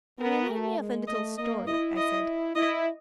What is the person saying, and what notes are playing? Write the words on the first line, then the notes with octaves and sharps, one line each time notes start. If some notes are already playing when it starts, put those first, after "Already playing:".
"You remind me of a little story," I said.
B3 A#4
A3
G#3
A3 D#5
A#3 D#5
E4 D#5
D#5
E4 D#5